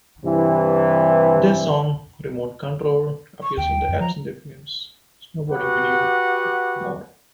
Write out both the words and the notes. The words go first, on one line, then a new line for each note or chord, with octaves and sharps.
Their song, "Remote Control" appears in the Absinthe Films snowboarding video, "More".
G2 C3 E3
C#6
D#2 G5
F2
F3 A#5
F#4 G4 B4 F#5